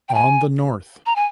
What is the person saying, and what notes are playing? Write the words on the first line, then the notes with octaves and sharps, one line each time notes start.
On the North.
G5
G#5
A#5
G#5